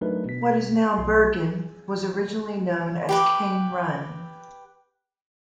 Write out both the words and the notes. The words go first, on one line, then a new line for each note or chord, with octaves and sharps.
What is now Burgin was originally known as Cane Run.
F#3 A3 D4 D#4 A#4 B4
B2 B6
B1 C6
G#4
G4 B4 D6